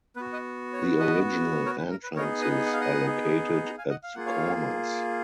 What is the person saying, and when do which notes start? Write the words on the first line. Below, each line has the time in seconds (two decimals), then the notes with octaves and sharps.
The original entrances are located at the corners.
0.16 B3 F#4 B4
0.33 B4 D#5
0.73 C#5
0.83 B4
0.99 B4 D#5
1.66 A#4 C#5
1.78 B4
1.91 A#4
2.03 B4
2.16 B3 D#4 G#4 A#4 C#5
2.41 B4 D#5
2.66 F#5
2.73 F5
2.81 D#5 F#5
3.66 F#5 A#5
3.78 F5 G#5
3.90 D#5 F#5
4.03 F5
4.14 A#3 F4 G#4 F#5
4.26 C#5 F5